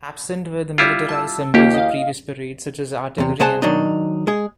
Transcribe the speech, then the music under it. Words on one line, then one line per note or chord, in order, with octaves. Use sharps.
Absent were the militarized symbols of previous parades, such as artillery and armor.
G3 E4 F4
A5 E6
D#2 A#3 E4 F#4 G4
D#5 F5
E2 C3
C2 C3 G#4 C5 F#5 A5
D#3 F#3 D4 D#4
G#3 G#4